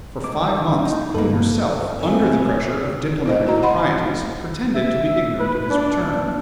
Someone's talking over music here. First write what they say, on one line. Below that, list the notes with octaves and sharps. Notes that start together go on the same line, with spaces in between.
For five months the Queen herself, under the pressure of diplomatic proprieties, pretended to be ignorant of his return.
G#2 D6
D#4
G2 A#3 A4 B4
F#2 F3 C4 A4 B4 G#5
E4 C5 D#5
F#4 C5 D#5 A#5
D#5 F#5 B5 C6
E5
B4
D4